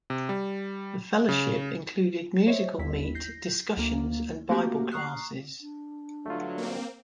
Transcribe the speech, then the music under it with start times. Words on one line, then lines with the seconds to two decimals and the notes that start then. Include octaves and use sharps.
The fellowship included Musical Meet, Discussions and Bible Classes.
0.10 C3
0.29 G3
1.29 C#3
2.47 C5 C#5 D#5 E5
2.78 G1 D#2 E4 B6
3.15 G6 A#6 C7
3.77 D2 A#3
4.49 A3 A#3 C4 F#4 G4 A#4
4.92 A#5 C#6 D#6 F6 F#6 C7
5.61 D4
6.26 G2 D3 F#3 A3 F4
6.58 A#3 C4